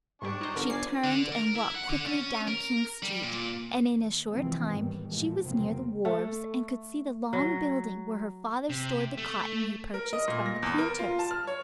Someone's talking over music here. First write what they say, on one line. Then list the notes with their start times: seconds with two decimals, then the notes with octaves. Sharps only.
She turned and walked quickly down King Street, and in a short time she was near the wharves and could see the long building where her father stored the cotton he purchased from the planters.
0.22 G#2 G3 D4 G4 C#6
0.41 D#4 C5
0.56 G1 D3 A#4 A#6
0.70 D5 G#5 C7
1.04 D3
1.32 A#4
1.55 E4
1.75 F#5
1.89 D3
2.07 C#4
2.48 A#4
3.03 G3
3.23 A#2
3.90 D#2
4.31 D#2 C3 E3 F3 G#3 C4
4.69 A1 E2 G#2 D#3 E3 G3
5.09 A#2 F3 G#3 A3
5.41 F1 E2 C#3 F#3 A#3 C4
6.05 A3
7.33 F#3
8.69 C3
9.17 A3
9.94 A#4
10.13 D#5
10.28 A#2
10.46 A#6
10.62 E2
10.78 A#4
10.99 F4
11.19 A5
11.31 F6
11.47 C#5